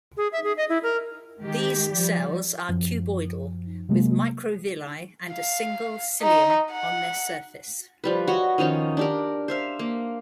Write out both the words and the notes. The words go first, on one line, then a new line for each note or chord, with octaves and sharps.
These cells are cuboidal, with microvilli and a single cilium on their surface.
G#4
E5
G#4
D#5
E4
A#4
D#3 G#3 G4
F3 G3
F#2 F3
C3 F#3 G#3 A#3
F5
D#4
F#5
F3 G3 B4
F#4 C#5 D#5
D#3 F3 C#4 D#4
D4 G4 A#4
C5 E5 F5
A#3